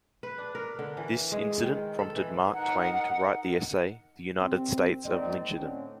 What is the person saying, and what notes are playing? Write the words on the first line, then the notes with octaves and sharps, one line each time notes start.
This incident prompted Mark Twain to write the essay "The United States of Lyncherdom".
B4
D4
A#4
D3
E3
G#3
D#3
A4
E3
D#4 A#4 F#5
C2 C4
G#2 A#3 C4 D5 D#5
A2 D3 C4 C#4